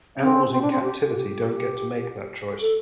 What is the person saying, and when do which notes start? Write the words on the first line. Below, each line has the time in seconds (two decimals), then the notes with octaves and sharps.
Animals in captivity don't get to make that choice.
0.20 C4
0.52 C4
0.62 D4
0.72 C4
0.83 G4
1.10 A4
1.15 G4
2.61 A4